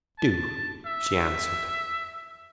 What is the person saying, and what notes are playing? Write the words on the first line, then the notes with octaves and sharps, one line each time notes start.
"Do," she answered.
A5
E5